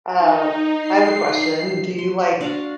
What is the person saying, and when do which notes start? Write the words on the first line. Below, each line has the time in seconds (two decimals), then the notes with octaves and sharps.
Uh, I have a question, do you like
0.17 D#4
0.79 C7
1.98 C6
2.41 D4 F#4 F5